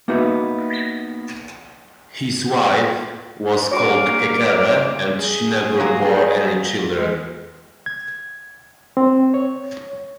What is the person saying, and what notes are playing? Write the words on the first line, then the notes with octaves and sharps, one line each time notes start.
His wife was called Kekele and she never bore any children.
A#3 B3 D#4 F#4 E5
G2 A#3 D4 F#4 C#5 F5 D6
G#4
F#3 A#3
G#3
G#6
C4
C#5